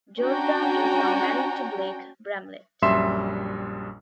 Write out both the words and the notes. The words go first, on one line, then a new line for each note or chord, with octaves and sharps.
Jordan is now married to Blake Bramlett.
C#4 D4 F#4 G5 G#5 A#5
A#1 F#2 G3 E5 C6 E7